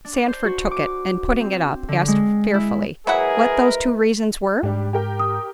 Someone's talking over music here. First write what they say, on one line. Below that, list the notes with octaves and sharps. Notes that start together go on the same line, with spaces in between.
Sandford took it, and putting it up, asked fearfully, "What those two reasons were?"
D4
C5
F#4
D6
C4
D3
G#3
E4
F#3 G#3 E4 G#4 A#4 B4 F#5 B5
G#2 G3 D4 G4
G4 A#4 G5
D#6